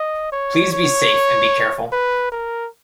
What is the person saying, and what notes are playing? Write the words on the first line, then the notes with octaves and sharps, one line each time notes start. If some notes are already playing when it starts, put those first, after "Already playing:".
Please be safe and be careful.
Already playing: D#5
C#5
C#5
B4
A#4